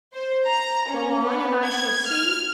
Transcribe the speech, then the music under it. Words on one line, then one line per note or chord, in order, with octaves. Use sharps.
Go on, and I shall see?
C5
A#5
C#4
B3
G#6
F6